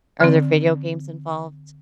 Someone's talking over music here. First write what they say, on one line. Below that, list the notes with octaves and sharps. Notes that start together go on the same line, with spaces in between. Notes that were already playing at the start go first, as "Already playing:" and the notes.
Are there video games involved?
D3 C4